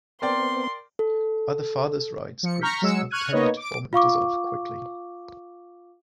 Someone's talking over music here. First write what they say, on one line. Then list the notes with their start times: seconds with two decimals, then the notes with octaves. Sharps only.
Other fathers' rights groups have tended to form and dissolve quickly.
0.22 B3 C4 A#4 D5 G5 C6
0.99 A4
2.43 F3 C#7
2.61 A#5 C#6 F6 G6 B6
2.82 F#3 G#3 E6 C#7
3.11 C#6 F6 F#6 G#6 D#7
3.32 A#3 B3 D#4 B4 C#5 D#5
3.57 D6 D7
3.93 F4 F5 C#6 D6